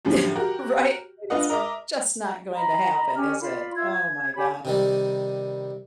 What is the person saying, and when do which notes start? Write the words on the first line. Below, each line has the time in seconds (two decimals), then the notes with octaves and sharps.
Yeah, right? It is just not going to happen, is it? Oh, my god.
0.05 F#2 A2 D3 F3 G3
0.35 F#4 G4 A#4
1.30 D4 F4 B4 D#5 F#5
1.50 A#4 D#5 E5 A#5 D6
2.55 D#5 A#5 B5
3.16 C#4 G4 F6
3.41 F4 D5 B5
3.75 F4 E5 G#6
3.91 G#6
4.36 G4 C#5 G#5 B5
4.65 C3 D#3 G3